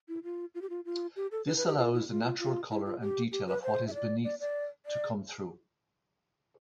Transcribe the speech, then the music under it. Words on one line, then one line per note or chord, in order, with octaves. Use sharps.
This allows the natural color and detail of what is beneath to come through.
E4
F4
F4
G4
F4
F4
G4
A4
B4
B4
G4
F4
E4
F4
F4
F4
E4
F4
G4
G4
B4
C5
E5
D5
D5
D5
D5